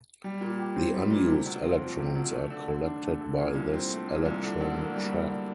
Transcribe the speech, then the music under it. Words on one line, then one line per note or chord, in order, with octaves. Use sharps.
The unused electrons are collected by this electron trap.
G3
A#2
G4
C4
G3
A#2
C3
D2
C4
F3
C3
D2
A3
D3
D3
D4
A3
D3
A#2
C2
C4
A3
A#2
C2
D3
D2
A#3
G3
D3